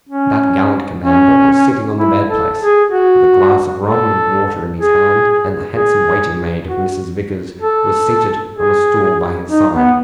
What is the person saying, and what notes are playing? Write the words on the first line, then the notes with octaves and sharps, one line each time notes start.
That gallant commander was sitting on the bed-place, with a glass of rum and water in his hand, and the handsome waiting-maid of Mrs. Vickers was seated on a stool by his side.
C#4
C#4
E4
A4
G#4
F#4
A4
G#4
G#4
F#4
A4
G#4
D#4
B3